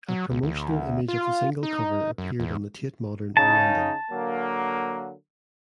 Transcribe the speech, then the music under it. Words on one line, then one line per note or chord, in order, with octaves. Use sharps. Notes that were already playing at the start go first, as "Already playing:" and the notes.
A promotional image of the single cover appeared on the Tate Modern in London.
F#3
C#2
D2
F4
D#4
F#2
E2
C#3 D#4 A5
D3 F#3 A#3